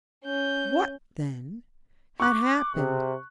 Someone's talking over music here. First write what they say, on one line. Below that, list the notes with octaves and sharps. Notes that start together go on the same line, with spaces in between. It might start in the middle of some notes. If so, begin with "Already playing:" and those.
What then had happened?
C#4 G6
C#6 D6 F#6
C3 G#4